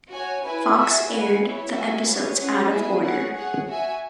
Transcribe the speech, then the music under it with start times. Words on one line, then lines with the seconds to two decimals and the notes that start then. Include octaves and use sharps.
Fox aired the episodes out of order.
0.12 F#4 C#5 G#5
0.45 E4 B4 G#5
0.77 F#4 E5 G#5
1.09 F#4 B4 G#5
1.42 B3 E4 C#5
1.74 F#4 E5 G#5
2.06 B3 G#4 C#5
2.38 C#4 G#4 C#5 F#5
2.70 B3 E4 G#4 E5 G#5
3.02 G#4 C#5 F#5
3.35 G#4 C#5 F#5
3.67 F#4 E5 G#5